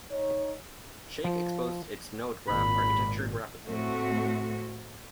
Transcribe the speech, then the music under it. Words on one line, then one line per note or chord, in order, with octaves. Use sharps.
Shake exposed its node graph architecture graphically.
D#4 C#5
F3
G#1 A#2 B5
A2 A3 C4 F#4